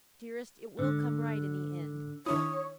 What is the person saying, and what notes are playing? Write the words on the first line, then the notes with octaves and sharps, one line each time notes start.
Dearest, it will come right in the end.
G#2 D3
D#3 D4 E4 C#5 D#6